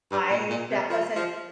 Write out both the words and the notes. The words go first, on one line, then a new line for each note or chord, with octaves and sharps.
I that wasn't
G2
A#2
A#2
C3
F3
F3